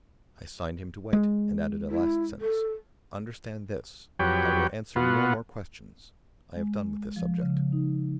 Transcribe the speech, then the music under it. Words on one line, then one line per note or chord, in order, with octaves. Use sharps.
I signed him to wait, and added a last sentence: "Understand this; I will answer no more questions--I have done with the subject."
G#3
E4
A4
F2 F#3 G4 B4 C#5 G5
B2 B3 F4 F#4
G#3
F3
C#3
D#4